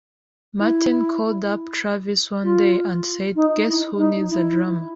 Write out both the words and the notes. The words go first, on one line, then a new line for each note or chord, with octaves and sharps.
Martin called up Travis one day and said Guess who needs a drummer?
E4
F4
D#4
E4
D#4
E4